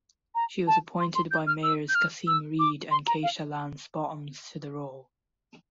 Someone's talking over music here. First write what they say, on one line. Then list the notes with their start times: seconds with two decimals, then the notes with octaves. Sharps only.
She was appointed by Mayors Kasim Reed and Keisha Lance Bottoms to the role.
0.35 A#5
0.67 A5
0.99 C6
1.15 C6
1.31 G6
1.47 F6
1.63 E6
1.89 G6
1.95 F6
2.27 E6
2.59 D6
2.91 C6
3.07 A#5
3.23 F5